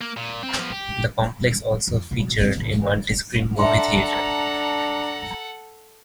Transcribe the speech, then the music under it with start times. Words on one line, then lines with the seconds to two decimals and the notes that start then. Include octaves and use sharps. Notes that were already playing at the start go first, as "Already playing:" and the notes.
The complex also featured a multi-screen movie theater.
0.01 A#3
0.17 A#2
0.43 C4
0.58 F3 B3
0.72 G4
1.87 F2
2.11 B2 B3
2.40 B3 C4
2.57 A#2 D#3
3.59 D4 A4 E5 F#5 A#5 C6